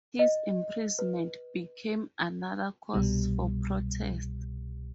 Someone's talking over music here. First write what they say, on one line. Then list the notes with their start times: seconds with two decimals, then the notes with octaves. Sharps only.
His imprisonment became another cause for protest.
0.19 D#5
0.99 B4
2.94 C2 B2 G3